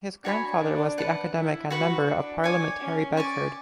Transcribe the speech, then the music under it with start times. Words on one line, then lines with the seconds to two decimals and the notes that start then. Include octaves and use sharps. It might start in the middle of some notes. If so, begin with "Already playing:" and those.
His grandfather was the academic and member of parliament Harry Bedford.
0.24 D4 F#4 C#5 G#5 B5
0.61 D4
0.98 B4 F#5 A5
1.35 E4
1.70 F#4 B4 F#5 C#6
2.08 D4
2.44 C#5 G#5 D6
2.81 C#4
3.17 D5 G#5 C#6